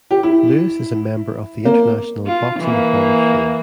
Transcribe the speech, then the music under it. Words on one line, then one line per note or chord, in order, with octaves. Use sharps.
Lewis is a member of the International Boxing Hall of Fame.
G4
E4
A#3
F4
E3 A#3